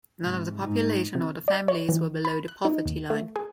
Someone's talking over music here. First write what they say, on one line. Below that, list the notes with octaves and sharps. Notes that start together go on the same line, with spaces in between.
None of the population or the families were below the poverty line.
G#2 C3
G#2 D#4
C3
D5
C#5
E3
B5
F#6
D#4
D#2
A3
G#4